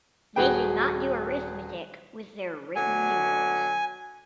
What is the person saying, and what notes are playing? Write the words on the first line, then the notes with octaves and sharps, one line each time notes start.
They did not do arithmetic with their written numerals.
D#1 F#4 G#4 B4 G5
B2 D3 F#3 G#5